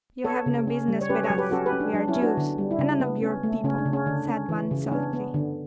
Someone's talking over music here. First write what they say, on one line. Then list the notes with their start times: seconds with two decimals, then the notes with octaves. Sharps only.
'You have no business with us: we are Jews, and none of your people,' said one sulkily.
0.24 B3 A4 C#5
0.46 C#3
0.67 C#4
0.88 G3
1.01 C#5
1.09 C#4 G4 B4
1.23 A4 C#5
1.30 F#3
1.38 G4 B4
1.51 C#4 F#4 A4
1.66 G4 B4
1.73 C#4
1.80 D4
1.94 F#3 D4
2.08 C#4 E4
2.16 B3
2.22 D4 F#4
2.37 D3
2.58 G3
2.71 E4
2.79 C#3 D4
3.00 B3
3.22 C#4
3.43 A3
3.64 C#3 C#4
3.78 D4
3.85 C#3
3.93 C#4
4.06 D3 D4
4.28 C#4
4.49 E3
4.71 C#3
4.86 C#4
4.91 B3 D4
5.13 B3
5.34 D3